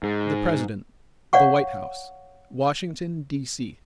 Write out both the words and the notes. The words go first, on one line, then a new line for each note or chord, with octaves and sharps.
The President, The White House, Washington, D. C.
G#2
C#5 D5 F5 F#5 C#6